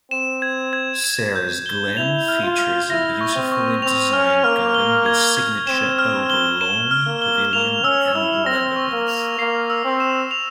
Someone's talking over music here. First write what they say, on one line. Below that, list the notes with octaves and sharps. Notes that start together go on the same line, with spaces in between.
Sarah's Glen features a beautifully designed garden with signature oval lawn, pavilion and labyrinth.
C4 E7
G#6
G#6
E7
G6
G7
E4 F7
F6
F4
F6
E4 A#6
C#6
C4
C#6
C4 F7
C#4 F6
A#3 F6
G7
G#6
G#6
C4 E7
F6
G7
E7
F6
A#3
G7
A#3 F7
C#4 E6
E4 E6
C4 A#6
C#6
A#3
F7
A#3 C7
E6
C4
E7
F7